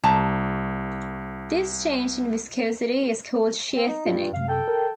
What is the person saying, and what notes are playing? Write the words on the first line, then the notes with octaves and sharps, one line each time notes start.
This change in viscosity is called shear thinning.
C2 A5 A#5
C4
D#4
G2 F4
F#2 C3 F5
A4 G5
A#4